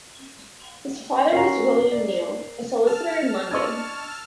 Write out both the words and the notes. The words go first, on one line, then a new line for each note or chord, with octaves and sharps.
His father was William Neal, a solicitor in London.
C#4 F#4 A#4 A#5 C7
D5
A4 A5 F6
D4 D#5 C#6 E6 G#6